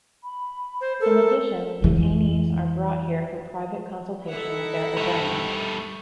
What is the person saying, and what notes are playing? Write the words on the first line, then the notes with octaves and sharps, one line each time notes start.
In addition, detainees are brought here for private consultation with their attorneys.
B5
C5
A4 A#4
F2 E3
D#4 E4 A4 E5 F#5
G3 A3